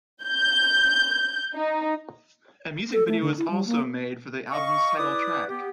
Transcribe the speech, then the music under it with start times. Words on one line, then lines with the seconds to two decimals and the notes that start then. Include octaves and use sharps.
A music video was also made for the album's title track.
0.25 G6
1.55 D#4
2.93 A4
3.08 A3
3.22 D3
3.38 E4
3.50 G3
3.67 A#3
4.51 D#5 F5 C#6
4.97 E4 B4 D5 D6 D#6
5.49 B3 G4